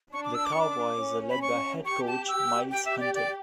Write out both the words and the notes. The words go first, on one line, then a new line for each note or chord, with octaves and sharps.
The Cowboys are led by head coach Miles Hunter.
D4 C#6
D6
E6
D6
C#6
D4 D6
C#4
B5
C#6
G4 C#6
A5
E6
G4 G5
E5
D5
D5